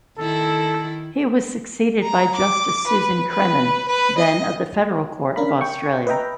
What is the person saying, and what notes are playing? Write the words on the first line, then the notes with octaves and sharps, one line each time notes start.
He was succeeded by Justice Susan Crennan, then of the Federal Court of Australia.
D#3 E4 A4
A#5
D6
B4
B4
B4
D#5
C#4 D4 A#4 F5 A#5 B5
G5 C#6
B4 D#5 E5 G5 A#5